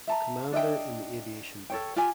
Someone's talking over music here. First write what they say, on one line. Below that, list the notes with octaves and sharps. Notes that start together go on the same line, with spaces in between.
Commander in the aviation branch.
E5 A5 A#5
D4 D#5 E5 G5
A4 C#5 G5
F4 G4 G#5